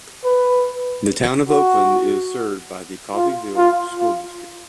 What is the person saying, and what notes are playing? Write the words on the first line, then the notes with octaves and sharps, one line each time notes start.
The Town of Oakland is served by the Coffeeville School District.
B4
F#4
F4
F4
F4